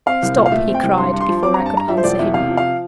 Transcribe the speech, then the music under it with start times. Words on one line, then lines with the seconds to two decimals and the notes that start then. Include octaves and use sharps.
"Stop!" he cried, before I could answer him.
0.06 C4 F5
0.22 C2
0.37 A#2
0.46 F5
0.52 A3 E5
0.68 C4
0.74 G5
0.83 C2
0.97 G2 C6
1.13 G2
1.20 C6
1.28 F3
1.43 C4 D6
1.54 G2 A#5
1.66 A5
1.74 G2 A#5
1.88 F3 E5
1.97 C5
2.03 E1 D5
2.19 E2 E5
2.34 C3 F5
2.49 F3
2.57 F5